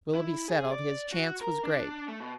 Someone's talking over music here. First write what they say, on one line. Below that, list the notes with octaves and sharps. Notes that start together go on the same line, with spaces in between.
Willoughby settled, his chance was great.
E4
G#4
D5
F#4
A#4
D4
A3
B2